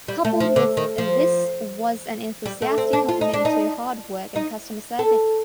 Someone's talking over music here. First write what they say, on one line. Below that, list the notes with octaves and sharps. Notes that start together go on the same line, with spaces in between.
Coupled with this was an enthusiastic commitment to hard work and customer service.
G3
A3
F3
D3
D#3
F3
G3
A3
C4
D4
F4
D#4
D4
D#4
D#4
A4